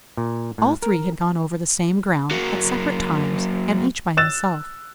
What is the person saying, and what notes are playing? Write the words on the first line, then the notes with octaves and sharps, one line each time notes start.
All three had gone over the same ground, at separate times, and each by himself.
A#2
A2
A#4
F#3 A#3
E6 F#6 A6 E7